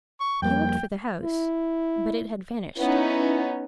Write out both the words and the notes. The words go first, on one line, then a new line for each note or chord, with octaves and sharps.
He looked for the house, but it had vanished.
C#6
F2 G3 A#3 G5
E4
B3 C#4 D#4 E4